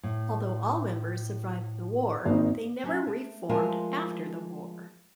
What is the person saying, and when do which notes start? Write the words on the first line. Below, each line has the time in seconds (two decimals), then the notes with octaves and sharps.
Although all members survived the war, they never re-formed after the war.
0.03 A2
2.25 G#1 A#3 C4 D#4
2.83 F#3 C#4
3.07 A3
3.49 F3 G#3 A3 F4 A#4 C5